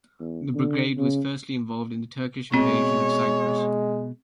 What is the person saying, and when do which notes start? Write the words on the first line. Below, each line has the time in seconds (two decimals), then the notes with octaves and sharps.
The brigade was firstly involved in the Turkish invasion of Cyprus.
0.19 E2
0.55 D3
0.98 C#3
2.54 B2 G#3 C4 C#5